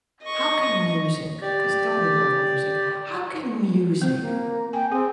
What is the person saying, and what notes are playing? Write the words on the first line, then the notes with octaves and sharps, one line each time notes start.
how can music 'cause don't we love music? How can music
D#5 C#6
G4 D5
C4 C5
A#3
G5 G#5
C4 G#4